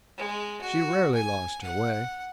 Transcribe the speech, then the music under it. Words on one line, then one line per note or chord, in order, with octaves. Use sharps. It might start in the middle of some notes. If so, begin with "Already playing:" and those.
She rarely lost her way.
G#3
F#4
G#5
F#5